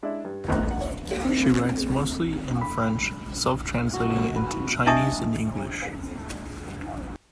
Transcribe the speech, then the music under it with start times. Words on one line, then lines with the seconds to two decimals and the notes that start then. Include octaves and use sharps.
She writes mostly in French, self translating into Chinese and English.
0.03 G#3 D4 E4
0.25 G2
0.48 E2 A2 D#3 C5 A#5 F#6
0.71 F#5
1.25 C4
2.61 B5
3.93 F#4
4.36 B4
4.86 D4 D#5 E5 A5 C#6 D#6